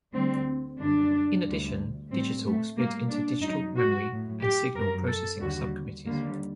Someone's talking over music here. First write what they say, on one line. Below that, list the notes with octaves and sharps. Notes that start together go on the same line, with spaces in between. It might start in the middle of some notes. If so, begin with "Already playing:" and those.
In addition, Digital split into Digital, Memory and Signal Processing subcommittees.
D2 D3 G3 C4
F#2 D3 G3 D4
D2 D3 G3
A2 G3 C4
A3
A2 G3 A#3
D4
F#2 F#3 D#4
F#4
A2 F#3
G4
F#2 F#3 A#4
A4
D#2 D3 G3 F#4
D#2 D3 G3 A#3